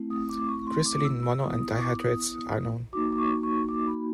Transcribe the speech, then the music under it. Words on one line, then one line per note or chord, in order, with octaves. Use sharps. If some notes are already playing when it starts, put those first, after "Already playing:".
Crystalline mono- and di-hydrates are known.
Already playing: A3 C4 E4
D#6
D6
C#6
C6
D6
E6
E6
B3 E4 D#6
D#6
C#6
D6
D#6
A#3 D#4 F#4 D6
D6
C#6
C#6
D6
B5